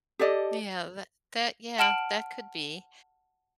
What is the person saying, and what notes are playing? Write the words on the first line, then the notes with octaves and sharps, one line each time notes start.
Yeah, that that, yeah, that could be.
G4 A4 D5 D#5
F#5 A5 F6 D7 F#7